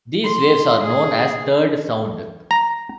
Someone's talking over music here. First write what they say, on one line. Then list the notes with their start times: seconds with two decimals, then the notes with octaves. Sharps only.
These waves are known as third sound.
0.24 C6
0.83 G#4
2.51 A#5